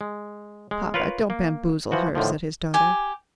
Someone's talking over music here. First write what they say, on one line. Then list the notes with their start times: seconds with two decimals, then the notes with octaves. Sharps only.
"Papa, don't bamboozle her," said his daughter.
0.01 G#3
0.71 G#3
0.94 F4 A#4 B4 C#5 F5
1.30 A#3
1.91 E3 F3 F#4 D#5
2.15 A2 D3 D#3 F3
2.74 G4 G#5